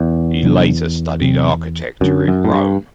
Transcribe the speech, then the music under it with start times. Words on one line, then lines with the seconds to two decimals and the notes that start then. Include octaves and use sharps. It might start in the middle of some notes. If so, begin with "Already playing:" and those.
He later studied architecture in Rome.
Already playing: E2
0.43 C3 F#3 B3 D4
1.21 C3 F#3 C4
2.01 F#2 D3 F#3 B3 D4
2.28 F#2
2.45 A2
2.54 G2